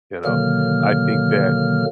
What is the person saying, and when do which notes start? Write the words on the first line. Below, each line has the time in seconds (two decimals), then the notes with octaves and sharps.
you know? I think that,
0.25 B2 D3 D#3 F#3 A#3 F6